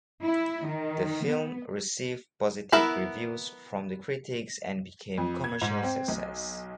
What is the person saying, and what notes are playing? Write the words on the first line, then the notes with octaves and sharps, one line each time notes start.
The film received positive reviews from the critics and became commercial success.
E4
D#3
B3
B3 E4 A#4 B4 E5
F2
G#6
G#2
C4
B1